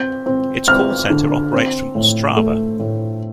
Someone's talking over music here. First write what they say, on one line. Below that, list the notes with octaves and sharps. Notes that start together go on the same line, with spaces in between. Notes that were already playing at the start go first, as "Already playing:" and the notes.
Its call center operates from Ostrava.
Already playing: C4 G6
C4
C4 F6
D3
C4
A2
A3
A2